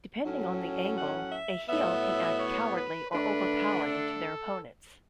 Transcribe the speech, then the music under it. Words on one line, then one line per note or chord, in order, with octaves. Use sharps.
Depending on the angle, a heel can act cowardly or overpowering to their opponents.
A2 F#3 C#4
F#5
E5
A2 F#3 B3 E5
C#5
B4
D3 A3 D4 B4
A4